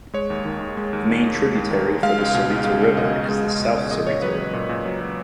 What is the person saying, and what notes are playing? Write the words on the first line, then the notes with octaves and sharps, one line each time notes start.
The main tributary for the Sarita River is the South Sarita River.
G#3 C#5
D#2
D#3
D#2
G#3
D#2
D#3
D#2
G#3
D#2
D#3
D#2
G#3 F5
C#2
B2
C#2
G#3
C#2
B2 D#5
C#2
G#3
C#2
B2
C#2
A#2 D#5
A#2 C#5
F#3 B4
F#3
A#2
A#2
F#3
F#3